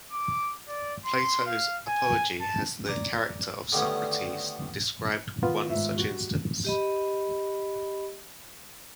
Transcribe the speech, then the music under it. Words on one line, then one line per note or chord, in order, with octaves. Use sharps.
Plato's "Apology" has the character of Socrates describe one such instance.
D6
D5
C6
F5
G#5
A5
D5 G#5 A#5
D3 D#3 G3 A3 B3 C#4
D#3 B3 F4
G#2 E5
G3 F#4
G4 D#5 B5